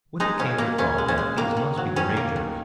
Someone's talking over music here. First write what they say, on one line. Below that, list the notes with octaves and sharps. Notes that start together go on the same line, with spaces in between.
With it came the thought that these must be the Rangers.
G#3 D#4
A#2 C#4
A#2 A#3
A#2 C#4
G#3
C#4
G#3
D#3 A#3
D#3
F#3
D#3 C#4
A#3
D#3